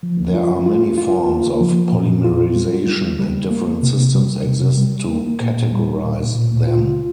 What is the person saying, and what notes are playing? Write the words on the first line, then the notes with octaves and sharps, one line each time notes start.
There are many forms of polymerization and different systems exist to categorize them.
F3
F4
F4
F4
A#3
F3
A#2
F4
G3
G3
G3
A#3
C3
G3
C3
G3
A#3
A#2
G3
A#2
A#2
F4